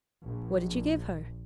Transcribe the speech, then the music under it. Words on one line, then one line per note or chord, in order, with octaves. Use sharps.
'What did you give her?'
A#1